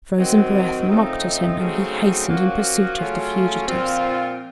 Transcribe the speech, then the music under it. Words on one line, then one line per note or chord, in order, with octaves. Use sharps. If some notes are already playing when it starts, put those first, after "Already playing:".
The frozen breath mocked at him, and he hastened in pursuit of the fugitives.
D#3 F#3 C4
C#3 F3 A3 C4 D#4
C#3 F#3 A3 C4 D#4
F3 A#3 C#4 F#4
C#3 F#3 A3 C#4 F4
A#2 F3 C4 F4